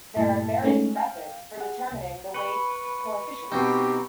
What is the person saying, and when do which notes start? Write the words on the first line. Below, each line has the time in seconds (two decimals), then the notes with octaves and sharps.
There are various methods for determining the weight coefficients.
0.16 G2 A#2 A3 E4 A5
0.63 G#3 A3 C#4 D#4
0.96 F5 G5
1.58 G#4 F#5
1.92 C2
2.34 B4 B5 C#6 C#7
3.52 B2 C4 D#4 G4